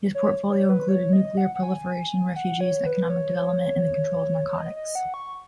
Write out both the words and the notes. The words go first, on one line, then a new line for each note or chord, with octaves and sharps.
His portfolio included nuclear proliferation, refugees, economic development, and the control of narcotics.
C#5
C#5
B4
C#5
D#5
F#5
F#5
G#5
F#5
C#5
B4
C#5
D#5
D#5
F#5
C#6